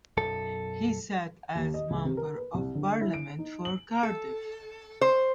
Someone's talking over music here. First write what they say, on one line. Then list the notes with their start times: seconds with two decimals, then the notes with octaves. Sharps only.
He sat as Member of Parliament for Cardiff.
0.17 B1 F#2 A4
1.55 D#2
1.74 D#5
1.90 C#2
2.05 C3
2.17 A#4
2.36 B4
2.54 C2
2.75 D3
3.01 E4
3.14 D7
3.39 D#4
3.65 F#7
4.03 A4
5.01 C5